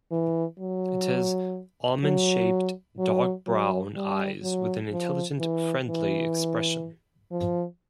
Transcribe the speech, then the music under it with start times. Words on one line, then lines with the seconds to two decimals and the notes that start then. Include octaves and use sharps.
It has almond-shaped, dark brown eyes with an intelligent, friendly expression.
0.11 E3
0.60 F#3
2.04 F#3
2.99 F#3
3.47 F#3
3.96 G3
4.43 F#3
4.92 F3
5.39 E3
5.88 E3
7.31 F3